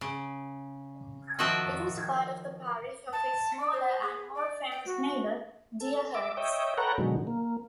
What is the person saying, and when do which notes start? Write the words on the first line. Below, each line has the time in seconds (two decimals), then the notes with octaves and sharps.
It is part of the parish of its smaller and more famous neighbour, Deerhurst.
0.01 C#3
1.39 D#3 F3 F#4 E5 G5 A5
3.13 A5
3.60 D5
3.73 C5
4.03 G#4
4.35 D5
4.71 G5
4.86 F#4
5.81 A4
6.15 E5 D6
6.37 C#5 D#5 E5 G5
6.77 A4 B4 C#5 F#5 G5 A#5
6.98 B2 D3 D#3 F#3 G#3
7.27 A#3